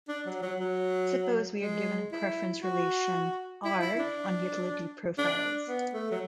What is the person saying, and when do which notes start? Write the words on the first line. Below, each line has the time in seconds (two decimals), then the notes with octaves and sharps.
Suppose we are given a preference relation "R" on utility profiles.
0.09 D4
0.26 F#3
0.42 F#3
0.60 F#3
1.62 G#3
2.12 E4
2.62 F#4
3.65 E4
3.81 E4
3.99 D4
5.18 D4
5.68 B3
5.94 A3
6.11 F#3